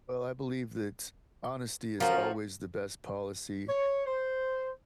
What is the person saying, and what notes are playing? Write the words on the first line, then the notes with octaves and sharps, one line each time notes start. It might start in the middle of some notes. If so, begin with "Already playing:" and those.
Well, I believe that honesty is always the best policy,
F3 C#4 F#4 A#4
C#5
C5